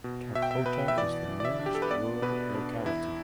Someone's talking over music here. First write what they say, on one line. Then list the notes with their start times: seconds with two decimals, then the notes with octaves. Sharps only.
Tokhota is the nearest rural locality.
0.04 B2
0.35 B2 E5
0.43 G5
0.51 E5
0.66 B2 B4
0.88 E5
0.97 E3 D5
1.29 E3
1.40 D5
1.45 E5
1.60 D4
1.66 G4
1.75 A4
1.82 B4
1.91 B3 D5
2.22 B2 B4
2.55 D4
2.85 E2 E4